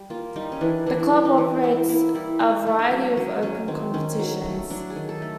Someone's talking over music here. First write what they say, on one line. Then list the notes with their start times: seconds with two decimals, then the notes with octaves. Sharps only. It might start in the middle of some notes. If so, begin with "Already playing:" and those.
The club operates a variety of open competitions.
Already playing: G3
0.10 A#3 F4
0.36 G3 D#4
0.52 C#4
0.61 E3 D4
0.86 E3 D4
1.12 G3
1.25 D#4
1.38 E3
1.64 A#3 E4
1.89 A#3 E4
2.14 G3 E4
2.40 A3 D#4
2.66 A3
2.79 D4
2.91 F#3
3.17 F#3 C#4
3.42 F#3 C#4
3.68 D#3 C4
3.94 D#3 C#4
4.19 F#3
4.45 A3
4.70 F#3 D4
4.90 G#4
4.96 D#3
5.09 A4
5.22 A3